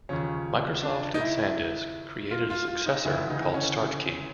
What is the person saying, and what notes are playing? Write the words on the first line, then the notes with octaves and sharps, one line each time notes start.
Microsoft and SanDisk created a successor called StartKey.
D#2 C#3 F3 C#4
D4
D#4
E4
F4
F4
F4
D#4
D2 C#3 E3 E4
D#4
C#4